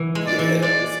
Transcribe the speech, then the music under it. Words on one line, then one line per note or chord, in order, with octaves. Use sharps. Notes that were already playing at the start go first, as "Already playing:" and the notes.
Yeah, it's
Already playing: E3
G#3
D5
E3
G#3 D5